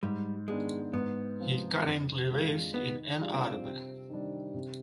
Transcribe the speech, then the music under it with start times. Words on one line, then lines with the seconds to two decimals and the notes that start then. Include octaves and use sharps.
He currently lives in Ann Arbor.
0.03 G#2 G3
0.48 D#3 G#3 B3 D4 G#4
0.93 G#2 B3
1.39 F3 C4
1.84 F2
2.29 D3 G#3 D4 F4
2.73 D#3 B3
3.19 G3 D4 F4 G#4
3.34 C4
3.64 C3
4.09 D#3 G3 D4
4.54 C3